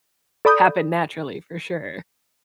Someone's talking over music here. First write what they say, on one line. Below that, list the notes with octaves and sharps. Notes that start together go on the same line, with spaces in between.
happen naturally for sure.
A4 D5 B5 D#6 G6